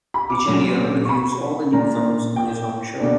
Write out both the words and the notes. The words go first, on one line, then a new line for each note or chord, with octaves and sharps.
Digilio reviews all the new films on his own show.
B5
D6
A#2 F#3 C#4
C#6
B5
A#2 A#3 D4 A#5
G5
B2 A#3 D4